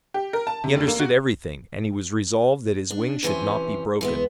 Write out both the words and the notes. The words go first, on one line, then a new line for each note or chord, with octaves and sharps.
He understood everything and he was resolved that his wing should not be broken.
G4
A#4
A5
C3
F1
A#3
F#4
D4
C3 E3 C#4 C5
E3 G#3 B3